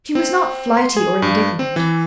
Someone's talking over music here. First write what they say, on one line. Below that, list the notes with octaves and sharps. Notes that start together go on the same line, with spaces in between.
She was not flighty or indignant.
C4
C6
G#4
G2
C4
E3